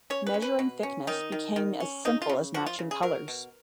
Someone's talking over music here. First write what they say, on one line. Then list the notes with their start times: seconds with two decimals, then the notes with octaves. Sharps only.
Measuring thickness became as simple as matching colors.
0.10 C#4 C#5
0.27 B4
0.34 C#4
0.42 B4
0.59 B2
0.83 C#4
1.07 D#3 D#4
1.32 D#3
1.56 D#3
1.80 C#4
2.05 C#3 D#4
2.22 F4
2.29 C#3
2.54 F3 F#4
2.66 F4
2.79 C#3
2.91 G#4
3.02 F#3 A#4
3.28 B2